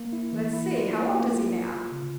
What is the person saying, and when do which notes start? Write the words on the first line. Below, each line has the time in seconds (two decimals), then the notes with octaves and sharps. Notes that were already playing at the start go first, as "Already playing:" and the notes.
"Let's see--how old is he now?"
Already playing: A#3
0.13 E4
0.33 E3
0.53 E4
0.73 F4
0.93 A#3
1.13 A#3
1.33 F4
1.52 F4
1.72 F4
1.92 C#3